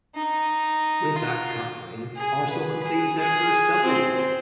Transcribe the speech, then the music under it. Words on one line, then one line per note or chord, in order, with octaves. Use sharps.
With that Cup win, Arsenal completed their first Double win.
D#4
F4
G#4
B4
G#4
G#4
C4